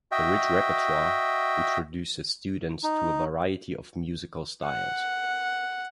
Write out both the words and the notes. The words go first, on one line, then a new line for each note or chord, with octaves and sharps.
The rich repertoire introduces students to a variety of musical styles.
F#4 D#5 E5 G5
D#4
F#5